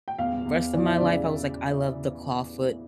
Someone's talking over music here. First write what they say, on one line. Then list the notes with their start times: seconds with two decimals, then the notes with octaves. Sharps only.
rest of my life, I was like, "I love the clawfoot
0.08 G5
0.18 E2 F5
0.45 E2
0.74 E3 D5
0.86 E5
0.98 C#3 D5